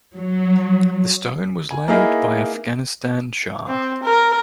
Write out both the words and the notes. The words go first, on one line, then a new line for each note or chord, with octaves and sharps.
The stone was laid by Afghanistan Shah.
F#3
G#5
A#3 B3 D#4 E4 G#4 A#4
C4
A#4